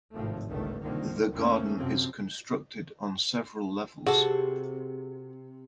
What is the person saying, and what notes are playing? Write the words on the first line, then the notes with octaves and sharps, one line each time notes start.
The garden is constructed on several levels.
G#1 A2 C3 F3 A3
G1 C#2 D#3 A3
C2 D3 D#3 F3 A#3
F2 A3 A#3 C4 C#4
F#2 C3 F3 C4
C3 F#4 G#4 A4